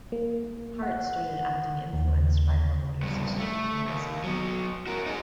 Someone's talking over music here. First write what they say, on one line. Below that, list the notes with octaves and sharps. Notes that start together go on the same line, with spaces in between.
Hart started acting influenced by her older sister Melissa.
A#3
F#5
D#2
E2 G2
A3
D#2
F#3 B3
F#4 A#4
D#4 G#4